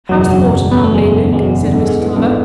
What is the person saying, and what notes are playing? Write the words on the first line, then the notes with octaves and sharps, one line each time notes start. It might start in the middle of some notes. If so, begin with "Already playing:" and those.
"How's the water now, eh, Luke?" said Mr. Tulliver.
F#1 E2 B2 F#3
F#3
F#1 E2 B2
B3
A3
F#1 E2 B2 G#3
A3
F#1 E2 B2 G#3
F#3
D3
G#2 D3 G#3 B3 D4 A4
E3
G#2 E3 G#3 B3 D4 A4